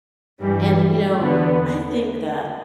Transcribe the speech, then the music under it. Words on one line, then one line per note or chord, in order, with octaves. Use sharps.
and, you know, I think that,
G2 E3 G3
E2 D3 B3